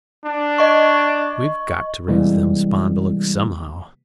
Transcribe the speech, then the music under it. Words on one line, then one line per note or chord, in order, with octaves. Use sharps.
We've got to raise them spondulicks somehow.
D4
D#5 C#6
C3 E3 G3 G#3 A#3